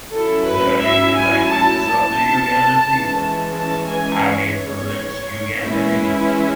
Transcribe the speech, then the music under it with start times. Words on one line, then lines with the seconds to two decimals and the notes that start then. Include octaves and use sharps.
The native languages of the Ugandan people have influenced Ugandan English.
0.11 F#3 C#4 E4 A4
0.46 B4
0.81 E5
1.15 G#5
1.49 A5
1.84 A5
2.87 E3 G#3 C#4
3.56 A5
3.90 G#5
4.24 C#5
5.63 E3 G#3 C#4 E4